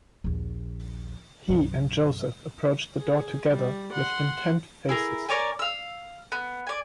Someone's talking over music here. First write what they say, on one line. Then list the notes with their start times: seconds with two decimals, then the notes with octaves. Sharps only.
He and Joseph approached the door together, with intent faces.
0.24 A#1 D#2
1.49 B1 F#2
3.00 G#4
3.52 G3
3.94 F#5 C6
4.89 E4 G#4 A#4
5.29 A#4 C#5 D5 G#5
5.59 F5 E6
6.32 B3
6.67 D5 G#5